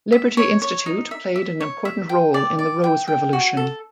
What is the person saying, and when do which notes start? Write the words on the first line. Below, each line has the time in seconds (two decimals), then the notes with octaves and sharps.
Liberty Institute played an important role in the Rose Revolution.
0.12 E5
0.37 C#5
0.62 C#5
0.86 D#4
1.11 E5
1.36 E5
1.61 C#5
1.85 E5
2.09 G5
2.34 D5
2.59 D5
2.84 G5
3.07 G5
3.33 F#4
3.57 A4